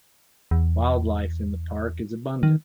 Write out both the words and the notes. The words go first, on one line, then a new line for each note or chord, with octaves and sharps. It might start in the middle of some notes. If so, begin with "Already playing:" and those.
Wildlife in the park is abundant.
E2
D#3